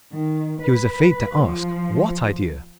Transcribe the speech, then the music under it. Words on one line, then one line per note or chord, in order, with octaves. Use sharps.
He was afraid to ask what idea.
D#3
B4
F3